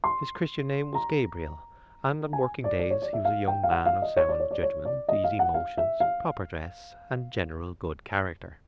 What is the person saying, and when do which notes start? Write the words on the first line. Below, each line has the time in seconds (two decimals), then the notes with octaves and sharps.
His Christian name was Gabriel, and on working days he was a young man of sound judgment, easy motions, proper dress, and general good character.
0.04 C6
0.95 A#5
2.33 G#5
2.64 D5
2.79 D5
2.90 C#5
3.02 D5
3.13 E5
3.25 F5
3.48 G5
3.63 F5
3.71 F#5
3.86 F5
4.02 D#5
4.17 C#5
4.29 D5
4.40 C#5
4.51 D5
4.63 C#5
4.85 D5
5.08 D#5
5.24 F5
5.39 F#5
5.54 F5
5.77 E5
6.00 F5